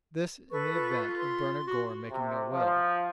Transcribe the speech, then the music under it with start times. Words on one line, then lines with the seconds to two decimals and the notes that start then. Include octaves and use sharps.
This in the event of Bernard Gore making no will.
0.51 A4 B4 C#6
0.73 F4
1.19 C6
1.67 F#4
2.10 C3
2.52 F3